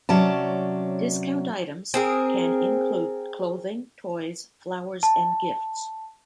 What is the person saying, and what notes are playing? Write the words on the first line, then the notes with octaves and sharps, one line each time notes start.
Discount items can include clothing, toys, flowers, and gifts.
C3 F#3 C#4 D5 A5
C4 G#4 A#4
A5